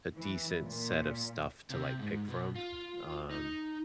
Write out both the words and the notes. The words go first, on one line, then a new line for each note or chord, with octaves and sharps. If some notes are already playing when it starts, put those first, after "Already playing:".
a decent set of stuff to, like, pick from. Um,
E3
A#2
C3
G#2
B2
F4
D#4